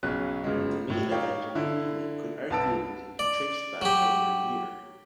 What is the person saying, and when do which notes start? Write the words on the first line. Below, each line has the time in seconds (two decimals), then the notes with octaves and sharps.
The main event of the evening could arguably be traced back over a year.
0.03 B1 C#3 F#3 C#5 F#6
0.44 G1 C#3 F#3 G#3
0.90 A2
1.11 D#4 G4 C#5 F5
1.55 D3 E4
2.50 C2 B4 A5 E6 D7
3.19 D5
3.82 F#3 G4